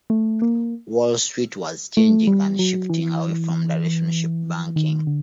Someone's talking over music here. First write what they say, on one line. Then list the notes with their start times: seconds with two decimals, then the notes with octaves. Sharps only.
Wall Street was changing and shifting away from relationship banking.
0.10 A3
0.42 A#3
1.97 A3
2.27 G3
2.59 F#3
2.90 E3
4.76 D#3
5.07 D3